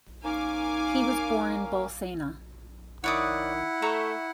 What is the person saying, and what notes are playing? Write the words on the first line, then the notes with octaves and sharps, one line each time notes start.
He was born in Bolsena.
A#3 C#4 D#4 A#4 F5 G#5 D6
D#3 E4 C#5 D5 F#5 D#6
A3 E5 A#5 C#6